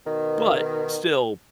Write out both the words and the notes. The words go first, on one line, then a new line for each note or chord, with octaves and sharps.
but still,
B2 D#3